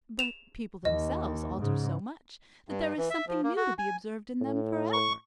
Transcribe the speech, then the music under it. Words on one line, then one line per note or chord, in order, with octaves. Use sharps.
"But people themselves alter so much, that there is something new to be observed in them for ever."
E7 F7
D#2 D#5
G#2 C#3
G2
E3
E5
F3
A#3
F#4
G#5
A2
C#6